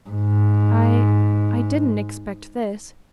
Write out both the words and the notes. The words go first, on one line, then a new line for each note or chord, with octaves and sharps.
I--I--didn't expect this.
G#2